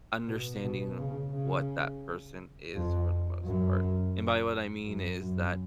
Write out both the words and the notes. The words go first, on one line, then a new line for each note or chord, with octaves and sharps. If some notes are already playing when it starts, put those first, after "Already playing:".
understanding w what that person is for the most part. And by what I mean is that,
B2
B2
C#3
C#3
F2
F#2
F#2
F#2